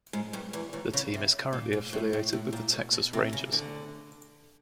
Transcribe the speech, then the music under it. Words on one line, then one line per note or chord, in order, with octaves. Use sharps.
The team is currently affiliated with the Texas Rangers.
G#2 G#3
G2 G3
E2 E3
D#2 D#3
C#3
C3
A#2
G#2
A2
A2
A2
A#2
B2
B2
C3
C#3
D2 D3